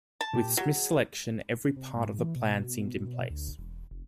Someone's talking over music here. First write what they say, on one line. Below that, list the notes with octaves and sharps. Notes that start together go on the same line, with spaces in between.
With Smith's election, every part of the plan seemed in place.
A5
A#2 G4 G5
F#3 F4 G4
G#4
C3
G#2
E3
B2
D2
E1
F1